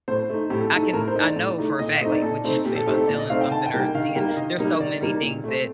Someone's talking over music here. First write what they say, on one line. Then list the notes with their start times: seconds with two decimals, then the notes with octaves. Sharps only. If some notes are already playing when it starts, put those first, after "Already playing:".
I I can I know for a fact, like what you said about selling something or seeing there's so many things that,
0.08 A2 C5
0.30 A3 D#4
0.50 A2 G4
0.61 A4
0.72 A3 D#4 A4
0.83 A4
0.93 A2 A#4
1.07 C5
1.15 A3 D#4
1.22 D5
1.36 A2
1.58 A3 D#4
1.79 A#2 D#5
2.01 A3 C4 D#4 D#5
2.12 D5
2.22 A#2 A4
2.44 A3 C4 D#4
2.65 A#2 G4
2.76 A4
2.86 A3 C4 D#4 G4
2.98 A4
3.08 A#2 D5
3.19 D#5
3.29 A3 C4 D#4 F5
3.41 G5
3.51 D#3 A5
3.66 G5
3.73 G3 A#3 D#4
3.80 G5
3.95 D#3 F5
4.15 G3 A#3 D#4 G5
4.28 F5
4.37 D#3 D#5
4.58 G3 A#3 D#4
4.80 D#3 D5
5.01 G3 A#3 D#4
5.23 A#2
5.44 A3 C4